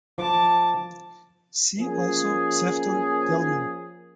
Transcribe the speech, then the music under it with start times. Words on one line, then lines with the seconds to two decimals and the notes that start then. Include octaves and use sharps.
See also Sefton Delmer.
0.18 F3 A5 D6
1.79 F3 A#3 C#4 G#4